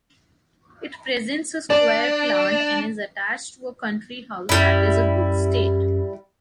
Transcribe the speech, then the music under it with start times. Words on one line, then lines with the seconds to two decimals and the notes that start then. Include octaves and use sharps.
It presents a square plant and is attached to a country house that is a good state.
1.70 D4 D5
4.49 F#2 G3 E4